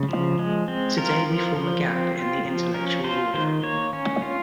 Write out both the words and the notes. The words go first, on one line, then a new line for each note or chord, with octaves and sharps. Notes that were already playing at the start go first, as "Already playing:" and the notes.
Today we form a gap in the intellectual order.
Already playing: C#3
F3
G#3
C4
F4 A#4
F3
F3
C4
F4
F3
C#4 A#4
F4 C5
D#3 C5
A#3 C#5
C#4
F4